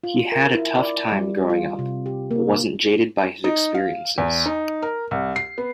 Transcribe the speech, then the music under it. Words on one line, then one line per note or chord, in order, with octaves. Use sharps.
He had a tough time growing up but wasn't jaded by his experiences.
F4
A#4
E4
D5
G3
F4
C3
G4
A#3
D#4
F5
E2
D#4
A#4
C2
C7
B3